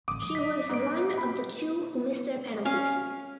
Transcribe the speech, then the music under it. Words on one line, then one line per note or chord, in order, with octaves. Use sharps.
She was one of the two who missed their penalties.
A1 D2 D6 D#6
F#3
D#5 B6
G#2 D7
B5
C#4 F5